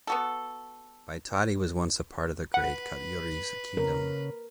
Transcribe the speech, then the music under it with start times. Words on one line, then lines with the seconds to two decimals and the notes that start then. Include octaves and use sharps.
Baitadi was once a part of the Great Katyuri's Kingdom.
0.07 B3 F#4 A4
2.54 B4 F#5
3.77 C#3 A#4